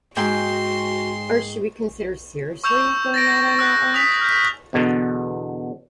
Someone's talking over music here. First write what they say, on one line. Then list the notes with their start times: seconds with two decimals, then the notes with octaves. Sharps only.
Or should we consider seriously going out on our own?
0.17 G#2 F#4 G5 C6
2.64 C#6 E6 G6 E7 F7
3.14 A6 A#6 D7
3.29 G6
3.59 E6 F#6
3.94 D#6 B6 F7
4.21 F6 G6
4.73 E2 B2 D3